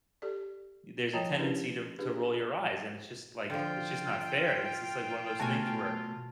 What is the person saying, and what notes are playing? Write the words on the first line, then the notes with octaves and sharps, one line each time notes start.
there's a tendency to to roll your eyes, and it's just, like it's just not fair. It is just like one of those things where
G4 A4 D5
F3 C#5 D#5 G5 A5 A#5
C#4 D4 E4 G4 A#4 B4
D4 G4 G#4 B4
D3 F3 F4 G5
B2 A3 F#4 G#5 A5